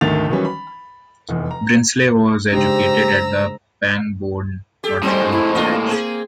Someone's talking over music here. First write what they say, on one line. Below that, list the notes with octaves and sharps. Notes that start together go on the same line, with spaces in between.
Brinsley was educated at the Pangbourne Nautical College.
G#1 D2 D#3 A3 A6 F7
D#3 E3 F#3 G3 C#4
B5
F1 E2
A#5
C#3 G#3 D4 D#4 G4 C5 A#5 E6
G4 A4
A2 G3 G#3 C4 C5
E4
A#3 D4 F4 D#5
C4 G#4